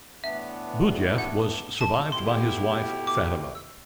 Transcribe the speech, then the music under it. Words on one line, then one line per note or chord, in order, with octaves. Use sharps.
Boudiaf was survived by his wife, Fatima.
A2 E3 B3 D4 E5
F#5
A5
B2 A3 E4 G4 C6
D6
E6